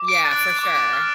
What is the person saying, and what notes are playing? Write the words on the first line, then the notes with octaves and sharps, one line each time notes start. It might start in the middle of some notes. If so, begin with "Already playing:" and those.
Yeah, for sure.
Already playing: D6
D7
F#6 A6
D6
F6